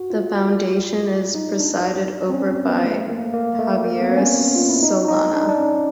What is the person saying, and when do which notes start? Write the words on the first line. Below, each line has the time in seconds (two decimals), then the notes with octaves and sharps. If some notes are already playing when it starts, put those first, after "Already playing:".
The Foundation is presided over by Javier Solana.
Already playing: F#4
0.10 F4
1.35 D#4
1.60 D4
2.29 C4
2.34 C#4
2.67 B3
2.85 A3
3.10 A#3
3.34 A#3
3.59 A3
3.84 A#3
4.00 B3
4.09 C4
4.17 C#4
4.56 F4
4.69 E4
4.83 D#4
5.08 D#4
5.33 D4
5.41 D#4
5.49 D4
5.58 C#4